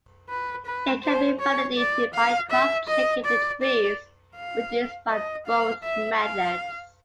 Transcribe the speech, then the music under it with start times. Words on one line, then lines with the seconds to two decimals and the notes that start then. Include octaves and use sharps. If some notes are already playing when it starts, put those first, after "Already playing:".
It can be validated by cross-checking the trees produced by both methods.
0.29 B4
0.66 B4
1.03 C5
1.40 C#5
1.77 D5
2.14 F5
2.51 E5
2.88 D#5
3.25 D5
3.62 D5
4.36 F5
5.10 D#5
5.47 F5
5.84 E5
6.21 F5